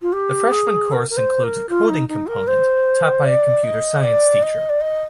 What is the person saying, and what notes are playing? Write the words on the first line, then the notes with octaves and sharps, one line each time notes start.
The freshman course includes a coding component taught by a computer science teacher.
F4
G4
G#4
A#4
A#4
C5
A#4
F4
D#4
D#4
A#4
C5
D5
D#5
D5
D#5
D5
D#5